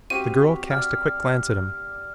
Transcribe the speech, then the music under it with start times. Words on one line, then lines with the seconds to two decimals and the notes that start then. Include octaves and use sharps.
The girl cast a quick glance at him.
0.10 C4 F#4 G4 F5 D#7
0.71 D5 F5 F#5 F6